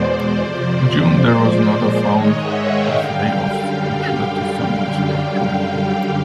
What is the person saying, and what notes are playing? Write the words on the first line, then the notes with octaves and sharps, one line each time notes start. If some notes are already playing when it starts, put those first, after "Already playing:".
In June, there was another found of layoffs which led to some restructuring.
Already playing: E2 B2 G#3 C5 D5
F2 C3 F3
A#2 F3 G#3
G#2 D#3 G#3 C#5 D#5
E5 F#5
F5 G5
F#2 D3 G3